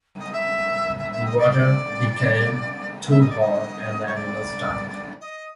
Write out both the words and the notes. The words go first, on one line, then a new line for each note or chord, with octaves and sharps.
The water became too hot, and the animals died.
D#5
E5
E5
E5
D#5
D5
D5
E5
D#5
D5
D#5
C#5
D5
D#5